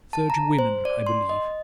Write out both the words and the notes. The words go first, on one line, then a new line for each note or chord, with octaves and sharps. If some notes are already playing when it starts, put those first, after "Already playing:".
Thirty women, I believe.
A5
A#5
C5
D5
C6
D#5